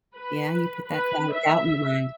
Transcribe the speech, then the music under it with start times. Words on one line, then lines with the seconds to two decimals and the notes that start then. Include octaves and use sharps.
yeah, you put that cloud of doubt in your mind.
0.16 B4
0.88 B4
1.35 E5